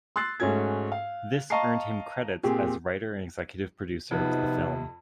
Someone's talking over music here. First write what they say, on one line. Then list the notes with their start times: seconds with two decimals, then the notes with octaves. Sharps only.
This earned him credits as writer and executive producer of the film.
0.16 C6 E6 F#6 A6 C7
0.40 G#2 A3 C#4 F#4 G#6
0.92 F5
1.50 D#5 F5 A5 A#5 C#6 C7
2.43 A#2 C4 G4 G#4
4.11 F2 C3 F3 F#3 B3 D#4